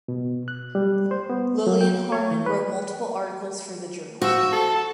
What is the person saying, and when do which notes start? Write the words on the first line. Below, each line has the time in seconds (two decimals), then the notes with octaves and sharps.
Lillian Harman wrote multiple articles for the journal.
0.08 B2
0.48 F#6
0.75 G3
1.11 C5
1.30 B3
1.67 F#3
1.81 G5
2.12 C#5
2.31 E3
2.46 B4
4.22 F3 F#4 C#6 E6
4.52 A4 A5